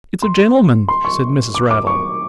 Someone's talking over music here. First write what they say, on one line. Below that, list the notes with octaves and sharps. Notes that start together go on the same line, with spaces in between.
'It's a gentleman,' said Mrs. Raddle.
C6
C6
C#6
D6
D6
C#6